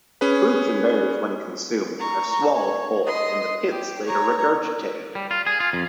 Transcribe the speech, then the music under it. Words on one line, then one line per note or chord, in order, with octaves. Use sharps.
Fruits and berries, when consumed are swallowed whole and the pits later regurgitated.
C#4 G#4 B4
A#5 C#6
C#5
D#5 C6
G4
C#5 A#5
G3
F4
G#4
F4
F2